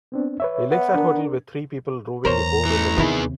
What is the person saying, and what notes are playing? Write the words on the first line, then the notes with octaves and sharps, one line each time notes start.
A lakeside hotel with three people rowing a boat in the lake.
B3 C4 D4
B4 C#5 E5
B3
D4 A#4
E2 A#4 C5 C#5 A#5
E3 A3
D#2 C3 D#3 B3 E4 G4 G#4